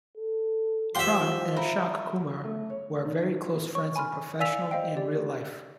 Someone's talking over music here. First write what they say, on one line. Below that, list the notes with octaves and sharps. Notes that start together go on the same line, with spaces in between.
Pran and Ashok Kumar were very close friends in professional and real life.
A4
F3 F#4 G4 E5 F5 C6
E4 A#5
A3
C#5
D#3
C#5 C#6
G#5 B5 C6 F6
D5 F5 G#5 E6 B6 F7
C5 D#5 F5 G5
G4 D5